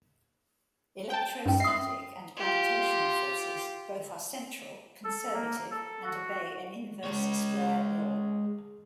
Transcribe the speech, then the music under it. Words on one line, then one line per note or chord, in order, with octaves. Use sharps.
Electrostatic and gravitational forces both are central, conservative and obey an inverse-square law.
G5 A5
G2 C#4 G5
E5 D#6 C7
F4 G4
A4
A#3
A4
F#4
G#3 C#5